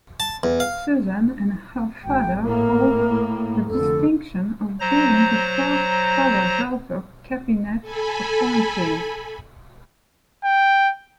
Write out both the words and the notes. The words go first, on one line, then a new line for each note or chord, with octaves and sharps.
Susan and her father hold the distinction of being the first father-daughter cabinet appointees.
A5
E2
F5
G#1 G5
A2 A#3 A#4
F1 D3 A4
F#3 C5 A#5 A#6
A4 G#5 B5
G5